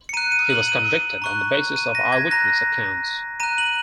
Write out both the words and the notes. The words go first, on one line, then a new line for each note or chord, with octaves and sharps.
He was convicted on the basis of eyewitness accounts.
C#7
A#5 F#6 D#7
D#7
F#7
D#7
A#5 C#6 F#6
D#7
A#6
G#6
A#5 F#6 A#6
A#5 F#6 D#7
F#7